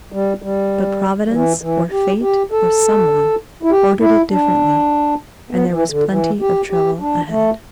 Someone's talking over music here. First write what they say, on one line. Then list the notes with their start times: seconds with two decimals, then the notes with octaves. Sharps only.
But providence, or fate, or some one, ordered it differently, and there was plenty of trouble ahead.
0.12 G3
0.42 G3
1.28 G3
1.32 E3
1.61 E3
1.91 G4
2.22 G4
2.52 A4
3.63 E4
3.71 G4
4.01 E4
4.31 D4
5.51 B3
5.70 E3
5.90 D3
6.10 E3
6.41 G4
6.70 G4
7.00 D4
7.29 A3